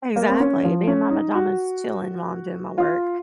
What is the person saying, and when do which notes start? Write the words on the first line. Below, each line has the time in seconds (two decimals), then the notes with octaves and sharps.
Exactly, me and my pajamas chilling while I'm doing my work
0.16 A#3
0.29 C4
0.40 C#4
0.64 F3
0.87 C#4
1.10 D#4
1.35 F#4
2.78 F4